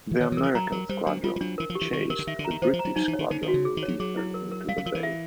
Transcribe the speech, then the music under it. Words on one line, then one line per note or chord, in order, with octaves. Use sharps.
The American squadron chased the British squadron deeper into the bay.
E3
D#3 C#5
E3
F#3 A#4
F3
F#3 A#5
F#3 A#4
G3 C5
F#3 D4
G3 F4
G3
F#3 D4
E3 A#4
F3
G4
E3
D#3 G4
D#3 A#4
D3
D#3 E5
D3
A#5
D#3
E3 C5
F3
A#5
F#3
F#3 D#4
E3
C#5
D#3
D3 D#4
D#3
F#4
C#3
G#4
D#3
C#5
F#3
F#3 G#4
E4
A#4
A#4
G3 F5
F#3
F3 A#4
E3
E5